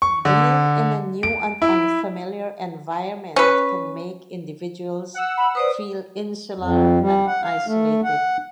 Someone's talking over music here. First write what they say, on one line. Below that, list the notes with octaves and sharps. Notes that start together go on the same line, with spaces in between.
Being in a new and unfamiliar environment can make individuals feel insular and isolated.
C#6
D3
D7
E4
C#4 B4
F#5 E6
B5
B4 C5 D5 D#6
F2
G3
F#5
F5
A3
F#5